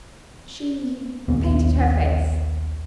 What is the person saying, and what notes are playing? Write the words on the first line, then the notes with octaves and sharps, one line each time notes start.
"She painted her face."
A#1 D#2 B3